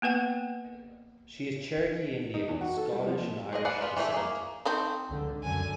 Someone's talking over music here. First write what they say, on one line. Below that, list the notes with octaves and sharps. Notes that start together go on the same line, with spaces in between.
She is of Cherokee Indian, Scottish and Irish descent.
A#3 B3 B4 F#5 G5
D#4
E2
F#4
A4
G3
F3
A#2
G#3 G#4 D#5
G#4 B4 D5 F5 F#5
B3 F4 B4
E3 F3 A3 D4 E4
A#3 G#4
A3 C4 D#4
C#2 D3
F#2 D3 G#5